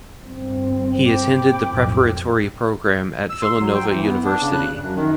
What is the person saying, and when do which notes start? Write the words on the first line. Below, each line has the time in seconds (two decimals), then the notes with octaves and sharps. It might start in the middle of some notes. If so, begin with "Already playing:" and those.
He attended the preparatory program at Villanova University.
0.21 G1 G2 C4
1.04 G5 B5 D6
1.65 B1 F2 A2
3.30 E6
3.42 C6
3.60 F#3
3.75 G5
3.89 E3
4.03 B3
4.25 D4
4.41 C#3
4.53 F#6
4.83 F#2
4.96 D#3